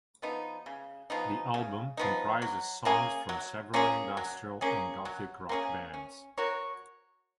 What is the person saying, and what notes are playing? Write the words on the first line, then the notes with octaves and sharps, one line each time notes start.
The album comprises songs from several industrial and gothic rock bands.
F3 B3 D#4
C#3
F3 B3 D#4
C#3
F3 B3 D#4
F#3
A#3 C#4 G#4
F#3
A#3 C#4 G#4
F#3
A#3 C#4 G#4
F#3
A#3 C#4 G#4
C#4
F#4 A#4 C#5